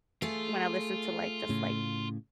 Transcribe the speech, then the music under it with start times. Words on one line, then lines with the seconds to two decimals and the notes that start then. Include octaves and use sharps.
when I listen to, like, just, like,
0.22 A3 F4 G#4
1.49 A2 C#3